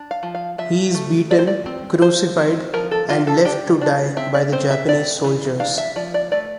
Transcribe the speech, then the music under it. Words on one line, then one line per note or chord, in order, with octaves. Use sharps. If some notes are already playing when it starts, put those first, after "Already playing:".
He is beaten, crucified, and left to die by the Japanese soldiers.
Already playing: D4
F5
F3
F5
F3 E5
A3
C4 D5
C5
D5
C4
F3 C5
C4
F3 A#4
A4
D4 F4
A4
D4 G4
D4
C4 E5
D5
C4 C5
E5
C4 D5
E3
D4 F5
E5
F3 D5
D5
A3 D5